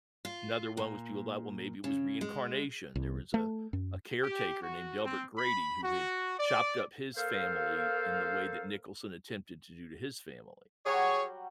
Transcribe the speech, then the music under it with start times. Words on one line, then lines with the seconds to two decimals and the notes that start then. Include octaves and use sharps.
Another one was people thought, "Well, maybe it was reincarnation." There was a a caretaker named Delbert Grady who had chopped up his family in the way that Nicholson attempted to do to his family
0.25 F4
0.77 A#2
1.84 C#3
2.21 G#3
2.96 C2
3.34 A3
3.73 F#2
4.22 G4
4.61 F#4
5.03 C4
5.38 B5
5.82 F#4
6.38 D5
7.16 A#3 A4 C5 F5
10.86 F#3 G3 F#4 G#4 C#5